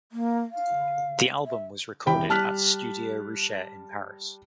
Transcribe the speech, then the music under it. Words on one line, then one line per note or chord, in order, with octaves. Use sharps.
The album was recorded at Studio Richer in Paris.
A#3
F5
E5
E1 C2 G5 B5
G3 A5 F6 F#6 B6